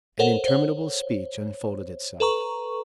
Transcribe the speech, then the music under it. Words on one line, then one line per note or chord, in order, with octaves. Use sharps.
An interminable speech unfolded itself.
A4 A#4 C5 C#5 F#5
C5 C#5
A4 B4 A#5 C#6